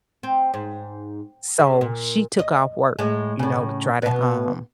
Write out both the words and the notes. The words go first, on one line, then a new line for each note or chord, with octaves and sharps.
So she took off work, you know, to try to, um,
C4
G#2
C#3
A#2
D#5
A2 G#3
A2 C#3
B2 B3